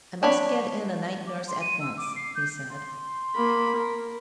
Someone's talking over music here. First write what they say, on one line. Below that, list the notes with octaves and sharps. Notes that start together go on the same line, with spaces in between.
"I must get in a night nurse at once," he said.
D4 C#5 B5
D6
C6
D#7
E6
D6
C7
G6
C6
A#3 B5
A#4